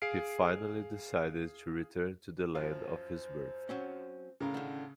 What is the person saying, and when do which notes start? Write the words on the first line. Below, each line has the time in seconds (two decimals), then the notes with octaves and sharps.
He finally decided to return to the land of his birth.
0.02 G#4 F5 C7 D7
2.55 F#2 F3 C5 F5
3.69 F#3 C4 C#4
4.40 A2 C#3 A#4 F5
4.54 D3 D#3 C#4